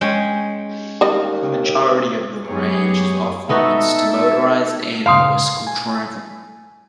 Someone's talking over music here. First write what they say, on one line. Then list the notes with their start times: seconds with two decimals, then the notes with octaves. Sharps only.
The majority of the range is off-limits to motorized and bicycle travel.
0.01 G#3 C#4 G5
1.01 D#2 G3 D#5
2.44 F#2 B3 G4 G#4 C#5
3.49 B3 D#4 F#4 A4 E5
5.06 G2 A#2 C#3 F5 A5 C6 D#6
5.67 G#5